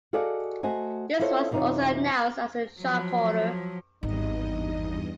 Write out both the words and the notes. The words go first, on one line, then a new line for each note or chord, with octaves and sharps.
This was also announced as a "tricorder".
F#4 G#4 A4 D5 D#5 F5
A3 F#4 C5 D#5 G#5
E4 F4 A4 C5 C#5 D#5
F#2 C3 E3 D#4 F4 C#5
F3 F#3
G#1 E2 G2 D#4 D#5